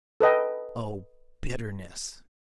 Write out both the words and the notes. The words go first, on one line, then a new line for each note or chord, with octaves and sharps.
Oh, bitterness!
A4 B4 D#5 G5